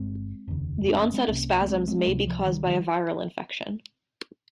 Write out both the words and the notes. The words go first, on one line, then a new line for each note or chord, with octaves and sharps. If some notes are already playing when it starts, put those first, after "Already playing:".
The onset of spasms may be caused by a viral infection.
Already playing: G1 G2 G#3 C4
F1 D#2 C#3
G#3 C4
A#3 C#4
G#3 C4
C2 C3 A#3 C#4
A#3
G#3 C4
G#3 C4
G#3
C#2 C3 G3 A#3
F3
D#3 G3
D#3 G3